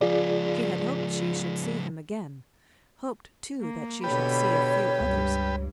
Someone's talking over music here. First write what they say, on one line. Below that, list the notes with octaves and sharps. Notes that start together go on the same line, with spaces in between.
She had hoped she should see him again--hoped too that she should see a few others.
C#2 F3 F4 G#4 D5
A#3
B2 D3 G4 B4 C#5 B5
C#2 G2